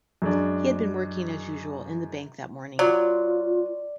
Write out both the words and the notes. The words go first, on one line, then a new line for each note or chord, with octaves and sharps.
He had been working as usual in the bank that morning.
F#2 G#3 D4
F#3 F4 D5